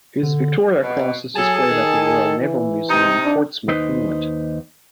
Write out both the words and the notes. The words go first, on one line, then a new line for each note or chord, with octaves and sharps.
His Victoria Cross is displayed at the Royal Naval Museum, in Portsmouth, England.
D3
B2
F#3 G#4 A4 A5
D#3
E3
C3 D#4
D4
D#2 D#4 B4 C5 D#5